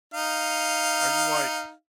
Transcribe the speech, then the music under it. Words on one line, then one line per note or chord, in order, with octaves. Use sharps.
"Are you like"
D#4 F5